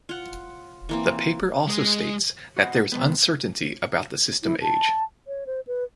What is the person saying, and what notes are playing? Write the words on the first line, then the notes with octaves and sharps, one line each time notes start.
The paper also states that there is uncertainty about the system age.
F4 F#5
E3 A#3 C4
G#3
F#4 C5 C#5 D#5 F#5
C3 F3 G#3 B3
E4
A5
C#5
C5
B4